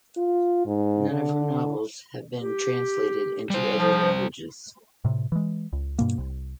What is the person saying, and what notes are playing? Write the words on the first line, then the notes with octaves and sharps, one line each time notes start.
None of her novels have been translated into other languages.
F4
G#2
D3
G4
G3 C5
F3
A2 C3
E3 G#3
C#2
G2 B2 A#3
C2